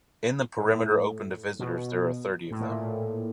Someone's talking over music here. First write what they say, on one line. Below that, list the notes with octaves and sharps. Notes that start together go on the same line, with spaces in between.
In the perimeter open to visitors there are thirty of them.
A2
B2
A2
A#2